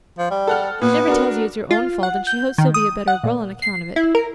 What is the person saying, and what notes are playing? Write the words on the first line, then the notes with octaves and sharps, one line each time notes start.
She never tells you it's your own fault and she hopes you'll be a better girl on account of it.
F3
G3
A4 F#5 F6
A#2 B3
D4 F#4 A#4
F4
F#5
G6
D#3
D#6
F#5
A#2
C7
E4
A#4